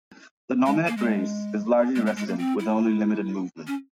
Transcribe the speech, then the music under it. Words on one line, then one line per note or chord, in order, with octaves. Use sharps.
The nominate race is largely resident, with only limited movement.
G#3
A#3
G#3
G#3
G#3
G#3
A#3
C4
E4
C#4